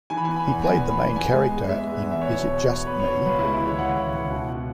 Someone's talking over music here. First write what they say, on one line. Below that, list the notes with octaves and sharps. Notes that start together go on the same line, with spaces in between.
He played the main character in Is It Just Me?
E3 G#5
B5
B3 G#5
B5
E2
B3 G#5
E2
B5
E2
B3 G#5
G#3
B3
G#3 E5
B3
E2
E5
B3 C#5
B2
B3
B3 C#5
B4
B3
C#5
B2
C#2 B4
G#3 E4
E4
C#2 C#5
C#2 F#5
C#2
C#2
B2
B2